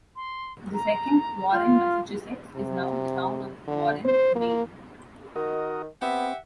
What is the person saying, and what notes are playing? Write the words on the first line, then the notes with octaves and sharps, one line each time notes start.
The second "Warren, Massachusetts" is now the town of Warren, Maine.
C6
A#5
F4 F6
C3
D3
C5
A#3
D#3 F#4 A#4 D#5
B3 C4 G4 E5 F#5